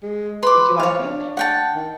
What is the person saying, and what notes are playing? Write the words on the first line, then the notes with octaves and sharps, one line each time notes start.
Did you like it?
G#3
B4 C6 D6
F3 C#5 F5
D4
F#5 G5 A5
D#3